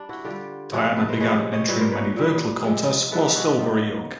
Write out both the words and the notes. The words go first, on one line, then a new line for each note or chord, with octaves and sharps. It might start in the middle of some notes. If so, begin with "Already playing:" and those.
Diana began entering many vocal contests while still very young.
Already playing: G3 D4
E4 F#4
D3 G3 F4 G4
C3 F3 G#3 F#4 G#4
G4 A4
A4 B4
A#4 C5
C3 F3 G#3 B4 C#5
C#5 D#5
A#2 G3 B4 C#5
A#4 C5
B4 C#5
A#2 G3
C3 F3 G#3
C3 F3 G#3 A4 B4
G4 A4
F#4 G#4
F4 G4
D3 F#3 D#4 F4